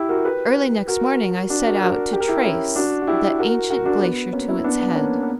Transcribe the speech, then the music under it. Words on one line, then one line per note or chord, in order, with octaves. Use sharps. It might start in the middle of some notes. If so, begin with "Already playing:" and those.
Early next morning I set out to trace the ancient glacier to its head.
Already playing: E4 G4
F#4 A#4
G4 B4
F#4 A#4
D4 F#4
F#4 A#4
F#4 A#4
G4
A#4
E4 G4
C#4 E4
D4 F#4
F#4
E4 G4
F#4 A#4
F#4 A#4
D4 F#4
B3
A#3 C#4
C#4 E4
B3 D4
B3
D4
A#3 C#4
B3